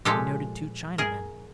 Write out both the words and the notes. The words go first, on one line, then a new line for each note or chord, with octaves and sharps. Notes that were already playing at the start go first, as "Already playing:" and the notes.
He noted two Chinamen.
A#2 F3 G#3 G4 A4
G#4 A#4